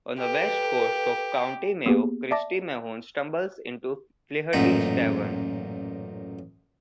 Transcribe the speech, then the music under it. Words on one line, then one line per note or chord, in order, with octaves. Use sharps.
On the west coast of County Mayo Christy Mahon stumbles into Flaherty's tavern.
G4 A4 B4 F5
A#3 B3 G4 G#4
D5 E5 A5 D6 A#6
A1 F#2 A#2 D#4 F#5